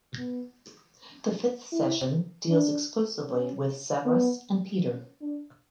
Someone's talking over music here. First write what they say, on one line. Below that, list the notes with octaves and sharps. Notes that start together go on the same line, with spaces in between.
The fifth session deals exclusively with Severus and Peter.
B3
E4
D4
C#4
B3
C#4
D4